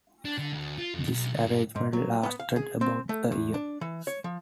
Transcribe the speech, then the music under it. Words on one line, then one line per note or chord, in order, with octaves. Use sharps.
This arrangement lasted about a year.
D4
D3
D2
F4
F2
B1
D2
G2
G#2
F#3
B3
F5
G#4
C4
A3
E2
D4
E3
C#5
F3